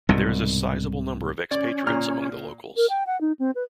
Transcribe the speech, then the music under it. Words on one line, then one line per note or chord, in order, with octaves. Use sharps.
There is a sizeable number of expatriates among the locals.
C2 G#2 B2
C#4 D5
A#2 F6
A#4
G5
F#5
D#4
C4
B4